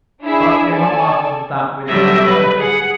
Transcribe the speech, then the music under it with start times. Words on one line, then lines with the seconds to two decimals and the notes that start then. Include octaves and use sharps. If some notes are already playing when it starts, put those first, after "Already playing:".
But we are not masters of that which is of necessity.
0.22 D4 E4 G#4 E5
0.72 A4 D5 G#5 A5
1.87 D3 F#3 G3 E5 A#6
2.25 B4
2.58 G#4 F#5